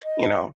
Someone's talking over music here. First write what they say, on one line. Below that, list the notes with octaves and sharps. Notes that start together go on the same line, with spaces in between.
you know,
D#5